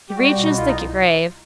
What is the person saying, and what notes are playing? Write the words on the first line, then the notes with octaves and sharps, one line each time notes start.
He reaches the grave.
G4
G3 F#4
G4
B2 F#4
C2 F4
D#4